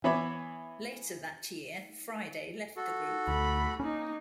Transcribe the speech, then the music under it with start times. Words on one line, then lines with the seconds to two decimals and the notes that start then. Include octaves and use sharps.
Later that year, Friday left the group.
0.04 E3 B3 C#5 E5 B5 D6
2.76 F#4 A4
3.28 D2 A3 B5
3.80 A#3 C#4 D#4